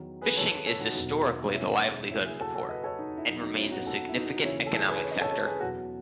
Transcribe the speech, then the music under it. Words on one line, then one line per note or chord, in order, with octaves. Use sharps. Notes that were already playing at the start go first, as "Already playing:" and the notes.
Fishing is historically the livelihood of the port, and remains a significant economic sector.
Already playing: E2 D#3 F#3
G#4 B4
A4 C#5
A4 C#5
D#4 F#4
E1 E2 D#3 F#3
C#4 E4
D#2 C#3 F#3 C#4 E4
E4 G#4
F#4 A4
F#4 A4
B4 D#5
A4 C#5
D#4
E4
E2 B2 F#3 D#4
D#4
C#4 E4
D#4 F#4
F#4 A4
E4
D#4 F#4
D#4
D#2 C#3 E3 C#4 E4
A4
E4 G#4
G#4 B4
C#5
D#5
A4 C#5
A4 C#5
G#4 B4
E2 B2 F#3 F#4 A4